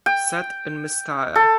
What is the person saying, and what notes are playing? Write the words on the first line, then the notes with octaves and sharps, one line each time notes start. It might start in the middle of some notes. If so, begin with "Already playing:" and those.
Set in Mystara.
G5
A4